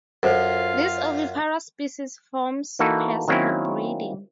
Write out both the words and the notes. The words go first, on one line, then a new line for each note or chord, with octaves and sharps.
This oviparous species forms pairs for breeding.
F#2 F4 A4 C5 F5
E3 A#3 D#4 F#4 A4 B4
D#3 F#3 A#3 C4 C#4 E4